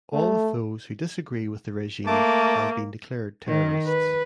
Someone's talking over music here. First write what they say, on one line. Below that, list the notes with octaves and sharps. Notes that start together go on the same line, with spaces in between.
All of those who disagree with the regime have been declared terrorists.
A3
A3 A#3 A5 D6
D#3
B4